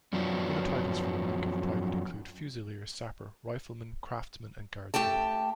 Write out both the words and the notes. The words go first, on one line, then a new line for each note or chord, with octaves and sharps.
Other titles for the rank of private include fusilier, sapper, rifleman, craftsman, and guardsman.
F#2 F3 F#3 B3 D4
A3 G4 G5 A5